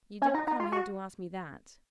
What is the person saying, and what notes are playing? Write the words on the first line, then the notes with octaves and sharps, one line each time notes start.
You didn't come here to ask me that.'
C#4
D#4
D#4
F4
F#4